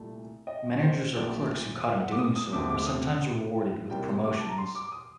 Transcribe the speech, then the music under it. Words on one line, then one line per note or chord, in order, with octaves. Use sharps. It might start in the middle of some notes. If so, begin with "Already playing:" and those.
Managers or clerks who caught him doing so were sometimes rewarded with promotions.
Already playing: C2 A#2 A3
D#5
C5
A#1 A#2 F#3 A3 D5
F#5
D6
D#6
D#6
D#2 D3 A3 C4 D6
D6
D#6
C2 C3 G3 A#3 G5
D6
A5
A#5
C6
D6
D#6